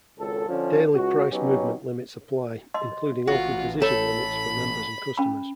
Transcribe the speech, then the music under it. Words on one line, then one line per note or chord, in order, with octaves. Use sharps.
Daily price movement limits apply, including open position limits for members and customers.
G#1 C#2 A4
D3 F3 C#4
C#2 F#4
F#3 B3 C#4 D#4 G4
D#5 C6
A1 F4 F#4
A4 C#5 B5
C#4 B5